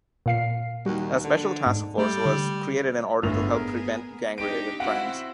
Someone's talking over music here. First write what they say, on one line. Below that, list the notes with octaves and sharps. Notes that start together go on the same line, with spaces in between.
A special task force was created in order to help prevent gang-related crimes.
A#2 F5 C7
D#2 G3 F#4
D3
G#2
G3 A3
D3
G1 A2 B3 G#4 F7
A#4
D4 D#4 G4 D7
C4 E4 F#4 F5 F#5 D7